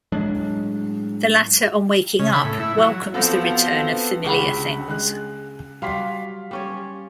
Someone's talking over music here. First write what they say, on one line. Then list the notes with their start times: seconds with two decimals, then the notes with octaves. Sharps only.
The latter, on waking up, welcomes the return of familiar things.
0.12 A2 F#3 G#3 D4
2.19 C#3
2.33 B5
2.44 A2
2.59 E4
2.77 F#3
3.14 F3 B3 C4 F4 F#4 A4
4.24 C#2 C#3 C#4 G4 F#5 B5
4.88 G#3 F#6
5.82 F#3 G3 F5 C6 B6
6.51 G3 C#4 C#5